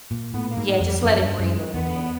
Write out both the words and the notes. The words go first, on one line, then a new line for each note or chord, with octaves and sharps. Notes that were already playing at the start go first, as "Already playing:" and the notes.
Yeah, just let it breathe a little bit.
A#2
A2 B3
A#3
G#2
G#3
F2
G3
F#2 F#3
G2
F#2 G#3
E2 B3